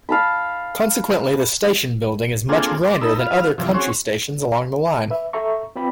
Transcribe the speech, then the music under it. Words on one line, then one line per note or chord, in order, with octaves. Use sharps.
Consequently, the station building is much grander than other country stations along the line.
F5 A5 B5
A#3 C4 D4 F4 G#4 A4
C5 D5
D#4 A4 A#4 B5 E6
F4 B4 F5
G2 C3 E3 F3
C4 C#4 F#4 G#4 C5 C#5
B4 E5
A4 E5 A#5 C#6
C4 F4 B4 D5 G5 B5